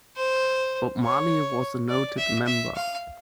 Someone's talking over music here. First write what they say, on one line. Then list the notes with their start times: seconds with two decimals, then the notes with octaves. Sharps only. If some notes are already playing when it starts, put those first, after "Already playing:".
Bob Marley was a noted member.
0.16 C5
1.03 C#5
1.89 D5
2.17 E5
2.46 E5
2.76 F5